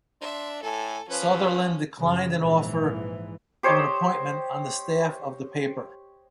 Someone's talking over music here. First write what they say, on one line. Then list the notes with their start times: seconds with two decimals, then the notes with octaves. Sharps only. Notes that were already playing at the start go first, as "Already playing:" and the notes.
Sutherland declined an offer of an appointment on the staff of the paper.
0.21 D4 E5 C6
0.63 A2 A4 G#5
1.09 F3 C#4 B4
2.00 F#2 C#3
2.39 A#1 G#2 E3
3.63 G4 C5 C#5 D#5